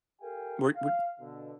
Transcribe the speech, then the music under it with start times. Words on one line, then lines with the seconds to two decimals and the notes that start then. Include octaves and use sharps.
Were were
0.22 G4 A4 A#4 F5 G5 G#5
0.76 F5
1.20 B2 D3